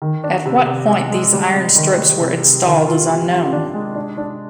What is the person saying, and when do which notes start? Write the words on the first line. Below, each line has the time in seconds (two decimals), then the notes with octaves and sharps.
At what point these iron strips were installed is unknown.
0.02 D#3
0.24 D4
0.46 C3
0.66 C3
0.88 G#3
1.10 G#3
1.33 G3
1.54 C3
1.76 D#3
1.98 G3
2.20 C3
2.43 C3
2.65 D#3
2.87 F4
3.08 F4
3.30 F4
3.53 D4
3.74 G#3
3.95 D4
4.17 D4